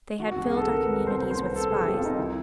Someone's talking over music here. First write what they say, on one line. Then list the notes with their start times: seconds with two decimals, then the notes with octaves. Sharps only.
They had filled our communities with spies.
0.19 D#3 F#4
0.32 C2 F#4
0.44 G#4
0.53 D#3 A4
0.68 C2 A#4
0.82 C2 B4
1.03 C2 C5
1.18 C3 C5
1.31 C2 C5
1.43 B4
1.52 C2 A4
1.68 C3 G#4
1.81 C2 G4
1.94 F4
2.01 C2 D#4
2.18 D#3 E4